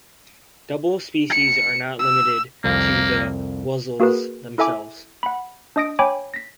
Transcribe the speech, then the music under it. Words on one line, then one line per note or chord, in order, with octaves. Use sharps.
Double species are not limited to the Wuzzles themselves.
C#7
E6
C2 F2 A#3 F5
A#3 F#4 G#4 A#4 B4
E4 A4 E5 G#5 D6
F#5 B5
D4 D#5 D#6 A#6 D7
C#5 G5 G#5 B5 D6
A#6 B6